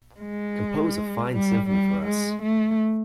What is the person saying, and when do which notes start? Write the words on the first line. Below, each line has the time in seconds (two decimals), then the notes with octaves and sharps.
Compose a fine symphony for us!
0.20 G#3
1.31 G3
1.69 G3
2.06 G#3
2.43 A3